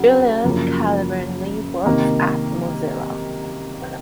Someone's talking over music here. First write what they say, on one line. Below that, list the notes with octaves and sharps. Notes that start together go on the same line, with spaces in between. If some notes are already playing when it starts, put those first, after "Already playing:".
Julian currently works at Mozilla.
Already playing: C#3 F#3
F#2 C#3 F3 A#3
C3 D#3 A#3